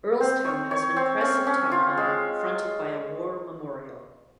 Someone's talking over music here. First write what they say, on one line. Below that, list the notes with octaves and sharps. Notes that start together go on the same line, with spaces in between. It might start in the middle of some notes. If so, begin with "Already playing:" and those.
Earlestown has an impressive town hall, fronted by a war memorial.
C4
C#5
C#5
C4
C#4
C#4
F4
G#3